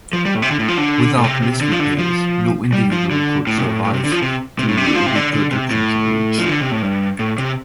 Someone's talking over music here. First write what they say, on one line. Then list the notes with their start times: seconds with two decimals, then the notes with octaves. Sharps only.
Without misrepairs, no individual could survive to reproduction age.
0.13 F3
0.25 G3
0.35 A2
0.42 C3
0.51 D3
0.59 A2
0.68 F3
0.77 D3
1.18 A2
1.24 C3
1.42 C3
1.61 D3
1.72 F3
1.80 D3
1.98 F3
2.73 G3
2.92 F3
3.11 D3
3.47 A2
3.58 C3
3.67 A2
3.85 A2
3.94 C3
4.04 D3
4.12 F3
4.22 C3
4.59 C3
4.68 A2
4.77 C3
4.86 D3
4.96 F3
5.06 C3
5.15 D3
5.33 D3
5.51 C3
5.71 A2
6.39 F3
6.49 D3
6.61 C3
6.72 A2
6.82 G2
7.19 A2
7.38 C3